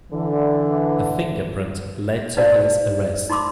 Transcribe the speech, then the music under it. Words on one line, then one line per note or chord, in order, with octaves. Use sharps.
A fingerprint led to his arrest.
D3 E3
D#4 B4 C5 D5 F5
D#4 B5 C6 D6 E6